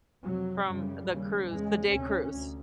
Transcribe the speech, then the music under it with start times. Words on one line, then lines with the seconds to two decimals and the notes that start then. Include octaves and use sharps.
from the cruise the day cruise.
0.23 F2 C3 F#3
0.64 F#2 C#3 G3
1.07 D#2 C#3
1.48 E2 C#3 G#3
1.91 D2 C3 C#4
2.33 D2